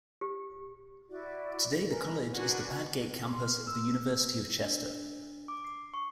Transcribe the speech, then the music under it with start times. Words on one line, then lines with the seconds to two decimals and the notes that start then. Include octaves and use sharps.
Today the college is the Padgate Campus of the University of Chester.
0.21 G4
1.10 E4 F#4 D5
1.88 A#4 B4 G#5
2.33 D4 F#4 A#4 B4 G#5
3.29 C6
3.43 F6
3.67 E6
4.61 D4
5.48 D6
5.65 C7
5.94 C#6